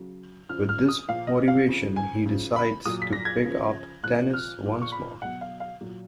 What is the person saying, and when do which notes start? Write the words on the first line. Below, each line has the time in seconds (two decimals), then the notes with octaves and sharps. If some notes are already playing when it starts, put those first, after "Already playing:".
With this motivation, he decides to pick up tennis once more.
Already playing: C#3 F#3
0.49 C#3 F3 F6
0.69 F6
0.88 D#6
1.08 A#2 F3 F5
1.27 D#5
1.48 F5
1.67 C#3 F3
1.96 G#5
2.26 C#3 F3
2.56 B5
2.85 A#2 F#3 D#6
3.02 B6
3.13 A#6
3.25 G#6
3.45 C#3 F3
4.03 A#2 F3 F#6
4.34 F6
4.63 A#2 F3
4.82 C#6
4.92 B5
5.22 B2 F#3 F#5
5.41 F5
5.60 F5
5.81 A#2 F#3